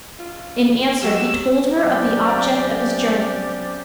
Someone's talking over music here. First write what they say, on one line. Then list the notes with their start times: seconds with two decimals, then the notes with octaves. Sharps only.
In answer he told her of the object of his journey.
0.19 F4
1.02 F#3 G#3 A3 G4 E6
1.76 C3 F#3 B3 C#4 G4 D5